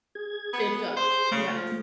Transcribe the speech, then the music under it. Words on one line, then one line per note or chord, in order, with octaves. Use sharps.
It does, yes.
G#4 G#6
B3
G#4
C5
C#3 A3
F3